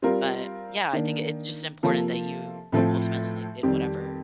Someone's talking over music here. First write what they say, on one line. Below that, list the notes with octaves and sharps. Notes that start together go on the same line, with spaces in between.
But, yeah, I think i it's just important that you ultimately, like, did whatever,
G3 C4 F4 A#4
D#3 A#3 D4
C3 F3 A#3 F4 A4
A2 F3 A3 C4
F2 D#3 G3 C4 G4